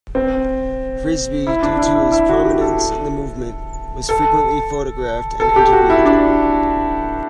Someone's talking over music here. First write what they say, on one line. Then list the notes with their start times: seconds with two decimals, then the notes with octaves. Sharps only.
Frisbee, due to his prominence in the movement, was frequently photographed and interviewed.
0.15 C4
1.47 E4
1.63 D4
1.79 E4
1.95 E4
2.12 E4
2.29 F#4
2.45 G4
2.61 A4
4.09 A4
5.40 A4
5.56 G4
5.73 F#4
5.90 E4
6.05 D4